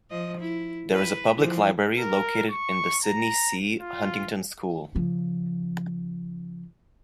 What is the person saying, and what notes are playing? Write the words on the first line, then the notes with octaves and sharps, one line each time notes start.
There is a public library located in the Sidney C. Huntington School.
F3 D#5
E4
B4
E3 F3
A#4
C#6
A#5
F4
C#3 F3